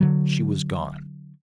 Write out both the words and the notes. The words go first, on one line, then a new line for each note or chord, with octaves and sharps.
She was gone....
D3 F#3